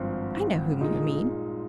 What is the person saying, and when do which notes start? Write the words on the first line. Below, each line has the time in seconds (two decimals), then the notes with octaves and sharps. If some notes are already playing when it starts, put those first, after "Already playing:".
I know whom you mean.
Already playing: G#1 G2 F3 C4
0.81 A#2 G#3 D#4